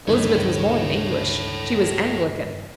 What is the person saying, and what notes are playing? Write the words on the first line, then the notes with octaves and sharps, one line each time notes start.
Elizabeth was more than English--she was Anglican.
C#2 G2 D3 D#3 A4 C#5